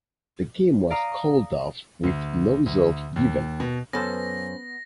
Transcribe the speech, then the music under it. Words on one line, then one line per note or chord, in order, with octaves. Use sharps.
The game was called off with no result given.
D5 F5 A#5 D#6
D2
D2
D#2
B2
F#2 B3 C#4 A4 C5 A#6